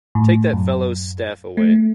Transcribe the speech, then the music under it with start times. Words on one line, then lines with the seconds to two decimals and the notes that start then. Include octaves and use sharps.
Take that fellow’s staff away.
0.15 A2
0.53 F#2
1.57 A3